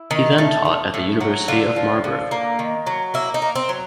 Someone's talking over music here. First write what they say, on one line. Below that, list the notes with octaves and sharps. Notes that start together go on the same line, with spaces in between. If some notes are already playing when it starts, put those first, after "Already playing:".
He then taught at the University of Marburg.
Already playing: E4
D#3
A3
A3
A2
F#3
D3 F4
F3
D3
A#3
D#3
F#3
A#3 E4
D#4
A#3
C4
F#3